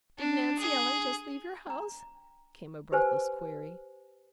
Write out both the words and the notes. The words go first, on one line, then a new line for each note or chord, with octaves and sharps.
"Did Nancy Ellen just leave your house?" came a breathless query.
D4
G#4
D4 A#5
G4 B4 C5 G#5